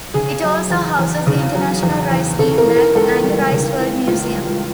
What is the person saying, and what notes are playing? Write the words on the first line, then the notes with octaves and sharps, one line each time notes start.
It also houses the International Rice Genebank and Riceworld Museum.
C#3 G#4
F#3
E2
E2
C#3
F#3
E2
E2
C#3 A4
A#4
E3
A#4
C#2 A4
G3
C#3
E3
C#2 F4
G3